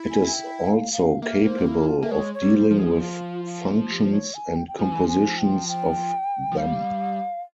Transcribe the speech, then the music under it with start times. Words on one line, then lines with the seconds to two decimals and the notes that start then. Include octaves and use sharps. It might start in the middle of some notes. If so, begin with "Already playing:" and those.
It is also capable of dealing with functions and compositions of them.
Already playing: E4
0.11 G#5
0.27 G#5
0.33 G5
0.63 F5
0.93 F5
1.22 A#3 E5
1.44 C5
1.67 E4
1.89 F4
2.02 A#3 E5
2.11 G#3 C#5
2.34 C#5
2.42 G3
2.55 C5
2.71 F3
2.78 G#4
3.01 F4
3.45 F4
3.90 G4
4.05 C5
4.12 C#5
4.34 G#5
4.56 G5
4.68 G5
4.79 F3 G#5
4.92 E3
5.05 F3 G#5
5.38 G5
5.69 G5
6.52 F3
6.57 G3 F5